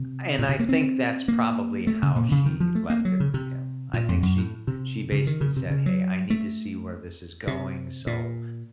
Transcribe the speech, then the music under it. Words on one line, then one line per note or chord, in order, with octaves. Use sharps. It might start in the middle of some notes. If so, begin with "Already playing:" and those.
And I think that's probably how she left it with him. I think she she basically said, "Hey. I need to see where this is going, so
Already playing: C3
A#2
C3
A#3
C4
A#3
A3
C#3
A#2
C#3
D#3
F3
A3
A#3
F#3
C#3
C3
A#2
F2
F#2
A2
C3
C#3
D#3
C#3
C3
C#3
F#3
A3
C3
A#2